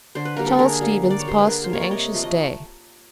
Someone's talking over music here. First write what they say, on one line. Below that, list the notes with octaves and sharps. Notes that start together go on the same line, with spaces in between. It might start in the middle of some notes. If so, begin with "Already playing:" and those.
Charles Stevens passed an anxious day.
D3 C5
B4
G3 A#3 A#4
A4 B4
D3 G#4 A#4
G3 A#3
D3
D5
C#5
G3 A#3 C5
B4
D3 G#4 A#4
C5
G3 A#3 C#5
D5
C3 C#5 D#5
F3 A3
D#5